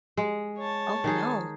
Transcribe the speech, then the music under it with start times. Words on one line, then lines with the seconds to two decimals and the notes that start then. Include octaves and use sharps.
Oh, no.
0.17 G#3
0.58 C#5 A5
1.04 D#3 D#4 G#4